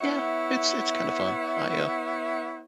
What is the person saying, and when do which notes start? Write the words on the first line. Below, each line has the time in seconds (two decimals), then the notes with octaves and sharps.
Yeah. It's it's kinda fun. I, uh
0.01 B3 E4 C#5 E5 F#5